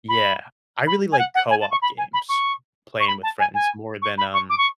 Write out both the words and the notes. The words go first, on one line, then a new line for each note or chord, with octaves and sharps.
Yeah, I really like co-op games, playing with friends more than, um
B5
B5
G#5
F#5
F#5
G#5
A5
C#6
B5
G#5
B5
C#6
C#6
B5
A5
G#5
G#5
C#6
B5
C#6
D6
C#6